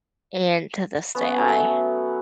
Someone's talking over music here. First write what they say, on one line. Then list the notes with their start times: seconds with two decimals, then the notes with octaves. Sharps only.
And to this day, I
1.15 B3 C#4 C#5
1.38 F#3 A3